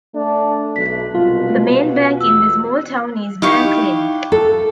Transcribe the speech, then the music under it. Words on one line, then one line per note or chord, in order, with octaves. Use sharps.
The main bank in this small town is "Bank Linth".
A3 D4
B1 B6
C2 B2 F4
E2 E6
D#4 E4 G4 F5 C#6
A4